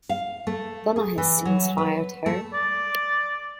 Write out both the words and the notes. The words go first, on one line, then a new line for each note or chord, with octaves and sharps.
Donna has since fired her.
F5
A3
G#4
E3
F#3
B4
A3
D5